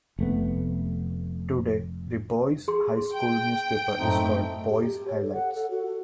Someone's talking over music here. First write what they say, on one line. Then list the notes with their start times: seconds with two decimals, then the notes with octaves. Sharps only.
Today, the Boise High School Newspaper is called "Boise Highlights".
0.19 F1 A3 B3
2.68 G#4 C6
3.14 G5
3.98 F#2 A2 A3 C4 D#4
4.69 G4
4.93 G4
5.08 C#5
5.22 A4
5.33 F#5
5.54 A4
5.71 F#4
5.86 A4